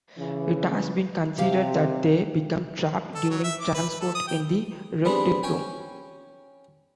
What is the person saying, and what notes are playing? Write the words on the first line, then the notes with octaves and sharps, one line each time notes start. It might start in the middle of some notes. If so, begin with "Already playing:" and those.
It has been considered that they became trapped during transport in the eruptive plume.
C#3 E3
C3 G4 F5
A4
F#3
E5
D6
B4
B4
A4
D#6
G5
G3 B3 C4 D4 G#4
C#4 C#5 G5 G#5